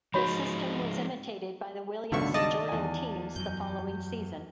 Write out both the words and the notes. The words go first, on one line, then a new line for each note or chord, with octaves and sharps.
The system was imitated by the Williams and Jordan teams the following season.
F3 G#3 D#4 F#4 C#5 B5
C#2 G2 B2 D3 D#3 E5 C#6
D5 D#5 A5
E2 G#5
F#2 F#3 G6